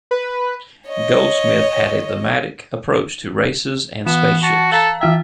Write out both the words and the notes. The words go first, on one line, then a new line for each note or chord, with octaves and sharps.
Goldsmith had a thematic approach to races and spaceships.
B4
C#5 D#5
E3 B3 E7
F#4 A5 A6
A4 F5 A#5 A6
E3 E4 E5 G5